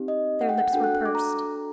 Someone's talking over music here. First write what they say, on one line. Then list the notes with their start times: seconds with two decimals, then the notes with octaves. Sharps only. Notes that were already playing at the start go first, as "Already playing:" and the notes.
Their lips were pursed.
Already playing: C4 D#4 G4
0.08 D#5
0.41 F#5
0.49 G5
0.58 F#5
0.73 D4 F#4 A4 G5
0.84 F#6
0.95 F#6
1.05 D6
1.15 A#5